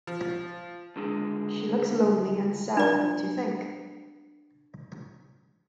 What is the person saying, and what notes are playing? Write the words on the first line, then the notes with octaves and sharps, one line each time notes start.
She looks lonely and sad, don’t you think?
F3
C#2 D3 G#3
D4 D5